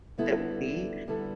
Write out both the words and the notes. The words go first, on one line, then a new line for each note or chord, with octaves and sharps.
that we need.
D3 G3 B3 E4 A4
D3 G3 B3 E4 A4